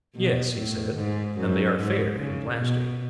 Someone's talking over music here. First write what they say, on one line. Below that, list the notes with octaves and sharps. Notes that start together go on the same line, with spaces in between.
Yes, he said; and they are fair and lasting.
B2
A2
G#2
F#2
G#2
C#3
B2